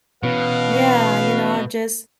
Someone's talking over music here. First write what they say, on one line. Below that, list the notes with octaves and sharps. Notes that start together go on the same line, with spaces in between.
Yeah, you know, I just
B2 E3 B3 C#4 B4 F5